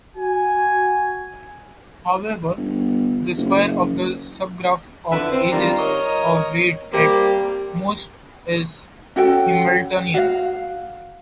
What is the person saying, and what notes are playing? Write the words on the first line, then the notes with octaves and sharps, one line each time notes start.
However, the square of the subgraph of edges of weight at most is Hamiltonian.
F#4 G#5
G1
F#1
F2 D3 E3 E4 B4 E5
C4
D#3 G3 A#3 D4 F4
A#4 C#5 D#5
G3 A#3 C4 G4
C#4 F#4 A4 G5
F#4 F5